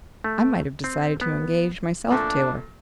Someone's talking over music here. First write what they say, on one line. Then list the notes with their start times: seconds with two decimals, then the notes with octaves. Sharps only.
I might have decided to engage myself to her.
0.24 A3
0.84 C4
1.21 B3
2.10 A#2 A3 D4